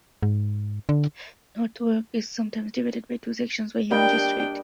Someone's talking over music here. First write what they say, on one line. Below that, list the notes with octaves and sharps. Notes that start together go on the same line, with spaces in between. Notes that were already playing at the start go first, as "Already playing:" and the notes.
North York is sometimes divided by two sections by Yonge Street.
G#2
D3
G3 A#3 D4 D#5 G5